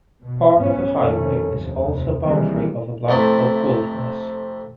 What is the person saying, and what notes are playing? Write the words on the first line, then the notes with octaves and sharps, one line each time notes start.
Part of the highway is also a boundary of the Black Elk Wilderness.
B2
G#2 B3 C#4
F2 D#3 A3 C#4
F1 D#2 F3
D#3 E3 G3 G#3 A#3 C4
F2 C3 A3 E4